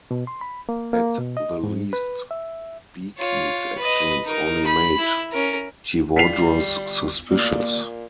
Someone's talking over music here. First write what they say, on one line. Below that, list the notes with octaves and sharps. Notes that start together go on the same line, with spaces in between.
At the least Beke's actions only made Tewodros suspicious.
B2
C6
B5
A#3
A#3
B2
D#5
G#2
B4
E5
F4 C#5
B4 D#5
D#4 A#4
B5
E4
C#4 A#4
G3 E4 F4 B6 C7 F7
A#2 G3 A#3 D5